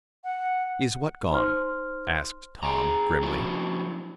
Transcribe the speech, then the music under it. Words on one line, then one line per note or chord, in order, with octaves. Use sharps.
"Is what gone?" asked Tom, grimly.
F#5
D#4 C5 C6 F6
G#4 G5 G#5 A#5
F3 F#3 C#4 D4 E4 F#4